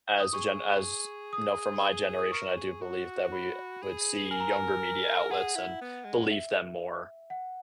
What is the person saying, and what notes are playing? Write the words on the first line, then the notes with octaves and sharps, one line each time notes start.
as a gen as no, for my generation, I do believe that we would see younger media outlets and believe them more.
D#6
G#4 C#6
D#6
D#6
A#4 C#6
G#4
F#4
B5
G#4
A#4 G#5
A#5
G#5
G#4 F#5
E4
B3
G#3
E5
F#5